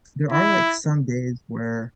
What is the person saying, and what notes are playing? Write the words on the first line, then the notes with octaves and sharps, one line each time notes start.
there are, like, some days where,
E4